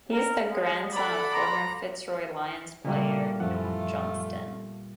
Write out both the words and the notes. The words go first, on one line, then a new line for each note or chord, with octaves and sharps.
He is the grandson of former Fitzroy Lions player, Norm Johnstone.
A#4
G#3
A4 D5 F#5 B5
A#5 C6 D6
A#2 C#3 G3 A3 A#3 F#4
F#2 F3 A3 F4 F#5